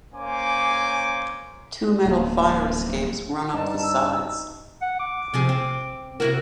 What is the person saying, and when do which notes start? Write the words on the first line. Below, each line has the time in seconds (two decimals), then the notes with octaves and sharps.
Two metal fire escapes run up the sides.
0.14 A#3 C#4 C5 C#5 G#5 D6
2.05 D1 A3 A#3
3.54 G2 D4 D#4 D5 A5
3.83 E6
4.82 F#5
4.99 D6
5.34 C3 F3 G#4
5.49 C4
6.20 C3 E4 F#4 A#4